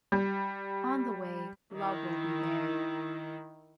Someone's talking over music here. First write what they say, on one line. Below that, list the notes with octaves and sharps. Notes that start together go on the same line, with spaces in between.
On the way, love will be there.
G3
D#3 E4